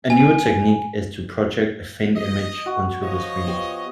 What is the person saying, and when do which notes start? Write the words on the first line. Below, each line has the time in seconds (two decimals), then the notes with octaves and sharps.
A newer technique is to project a faint image onto the screen.
0.10 G#5
2.16 D#5
2.66 F#4
3.02 F3 C#5 D#5
3.47 B3 F4 G4